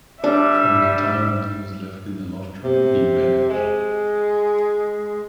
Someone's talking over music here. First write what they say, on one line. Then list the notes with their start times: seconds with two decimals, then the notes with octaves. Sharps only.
From the time when he was left in the loft-room, he vanished.
0.24 G3 D4 E5
2.64 C3
3.50 G#3